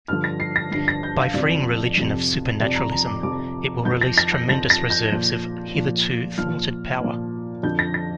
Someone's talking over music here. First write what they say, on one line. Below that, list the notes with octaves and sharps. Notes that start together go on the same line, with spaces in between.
By freeing religion of supernaturalism, it will release tremendous reserves of hitherto thwarted power.
G2 D3 F3 F6
A#6
C7
A#6
G2 D3 F3 C7
A#6
G6
F5
F2 C3 F3 D5
F2 C3 F3
F2 C3 F3 D5
A#5
A#5
D6
F2 C3 F3 D6
F2 F3 G6
A#6
A#6
G6
F2 F3 A#6
A#6
G6
A#2 F3
A#2 F3
A#2 F3 F6
A#2 F3
F2 D3 F3 G6
A#6
A#6